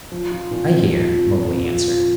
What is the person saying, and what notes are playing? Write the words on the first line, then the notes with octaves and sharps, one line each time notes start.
"I hear," Mowgli answered.
F3
F4
A#2
C4
F3
F4
A#2
C4
F3
F4